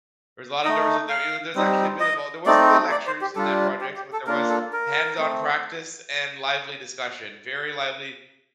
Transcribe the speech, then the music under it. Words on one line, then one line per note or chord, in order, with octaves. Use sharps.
There was a lot there was a there it w there was actually a bit of all there wasn't really lectures in that project, but there was hands-on practice and lively discussion, very lively,
A3 D#4 D#5
F5
G3 C4 D#4
D#5
A3 C4 D#4 D5
D5
C5
G4
G3 D4 F4 A4
G4
G4
A4
A#3 D4 F4 A#4
A4
A#4
A3 C4